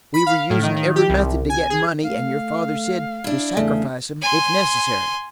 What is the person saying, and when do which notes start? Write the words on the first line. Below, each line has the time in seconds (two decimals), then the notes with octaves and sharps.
"We were using every method to get money, and your father said to sacrifice them, if necessary."
0.14 B5
0.26 F5
0.50 A2
0.63 D#3
0.76 D#3
0.96 G4
1.09 C2
1.50 G#5
1.70 G#4
2.05 A3 F5
3.24 D4 E4
3.57 E2 C#3 A3
4.21 G#5 C6